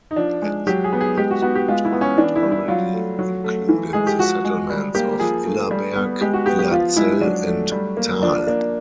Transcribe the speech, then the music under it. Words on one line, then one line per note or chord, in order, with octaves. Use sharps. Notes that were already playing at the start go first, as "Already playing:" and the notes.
At that time it already included the settlements of Illerberg, Illerzell and Thal.
D#4
F3 D4
G#3
F#3 G4
G#4
B3
G#4
G#3 G4
F#4
B3 F#4
G4
G#3 F4
E4
B3
C#4
E3 D4
E4
G3
E4
F#3 F4
A3
F#3
A3
E3
G#3 G#4
G4
F3 F#4
G#3
G3
A#3 G4
F3 G#4
A3
G3
B3
G#3 G4
F#4
B3 G4
G4
F3 F4
G#3 E4
F#3 D4
A3
G3
A#3
F3 D4
A#3 D4